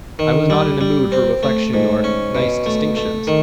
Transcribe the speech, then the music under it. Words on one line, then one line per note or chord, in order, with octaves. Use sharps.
I was not in a mood for reflection or nice distinctions.
D#3
G3
G3
C4
A3
G#2
C#4
B2
A3
A3
D#3